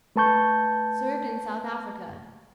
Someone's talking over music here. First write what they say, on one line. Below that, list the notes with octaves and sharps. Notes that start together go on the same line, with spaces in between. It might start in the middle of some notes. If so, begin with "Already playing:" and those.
Served in South Africa.
A3 B4 A5 C#6 G6